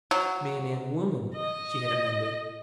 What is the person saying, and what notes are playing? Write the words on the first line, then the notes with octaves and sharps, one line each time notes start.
"Man and woman," she had amended.
F#3
D#5